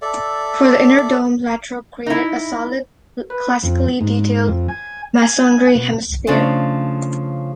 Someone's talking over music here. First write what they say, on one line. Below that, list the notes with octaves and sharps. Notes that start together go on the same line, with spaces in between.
For the inner dome Latrobe created a solid, classically detailed masonry hemisphere.
A4 D5 E5
D#4 E4
B4
F2
G#2
F2
G#5
G#5
B2
C#3 F3 A3 D4